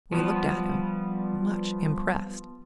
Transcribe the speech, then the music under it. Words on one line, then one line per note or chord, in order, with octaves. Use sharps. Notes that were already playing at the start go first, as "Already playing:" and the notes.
We looked at him, much impressed.
F3 G3 B3